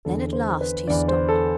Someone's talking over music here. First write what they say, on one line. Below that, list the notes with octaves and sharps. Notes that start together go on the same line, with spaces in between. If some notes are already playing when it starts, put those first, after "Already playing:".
Then at last he stopped.
E2 D3 A4
C5
B4
E2 D3 D5
C5
A4